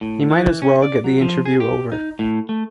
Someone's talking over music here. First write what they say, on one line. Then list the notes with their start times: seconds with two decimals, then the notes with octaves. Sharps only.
He might as well get the interview over.
0.01 A2
0.30 E3
0.62 C#4
0.82 D5
1.04 F#3
1.21 F3
1.45 G#4
1.60 G4
1.92 D#4
2.19 A2
2.49 A3